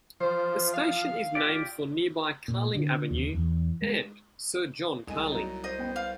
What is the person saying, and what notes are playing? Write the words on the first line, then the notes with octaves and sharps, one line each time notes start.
The station is named for nearby Carling Avenue and Sir John Carling.
F3 C5
F5
F4 G4 D5
A#2
D3
D#2
E2
G#3
C2 G#3 D#5 G#5
F#3 D#4
C5 D#5 D#6
B3 G5
F5